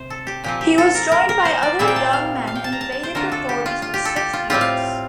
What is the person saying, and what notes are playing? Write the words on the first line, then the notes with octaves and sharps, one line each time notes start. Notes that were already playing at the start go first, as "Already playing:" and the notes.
He was joined by other young men and evaded the authorities for six years.
Already playing: C3 C5
A4
G4
A#2 F3 C4 G4
G4
A4
A#4
A#4
A#4
C5
D5
A#2 G3 C4 E4 E5
G5
A5
F5
F5
G5
A5
A#5
A5
A5
C5
D3 A3 D4 F4 A#4
A4
G4
F4
F4
G4
A4
G4
F4
A2 G3 C4 F4 G4
F5